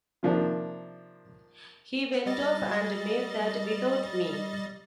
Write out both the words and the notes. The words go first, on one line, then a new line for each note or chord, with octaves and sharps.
He went off and made that without me.
C3 D#3 F3 A#3 D4
G3 D#5 A6